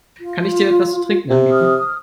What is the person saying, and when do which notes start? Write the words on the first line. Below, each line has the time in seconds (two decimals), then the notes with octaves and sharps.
Kann ich dir etwas zu trinken anbieten?
0.20 F4
1.30 C3
1.52 D#6 F6